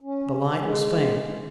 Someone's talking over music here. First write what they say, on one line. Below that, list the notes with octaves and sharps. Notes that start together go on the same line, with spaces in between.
The light was faint.
C#4
G#3